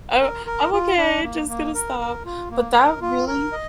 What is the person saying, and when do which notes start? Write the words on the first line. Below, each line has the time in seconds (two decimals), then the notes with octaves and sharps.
"I I'm okay, just gonna stop." But that really,
0.21 A#4
0.46 A#4
0.72 F4
0.98 D4
1.23 A#3
1.48 A#3
1.74 A#4
2.00 A#4
2.25 F4
2.51 A#3
2.76 A#4
3.01 F4
3.27 A#4
3.52 D#5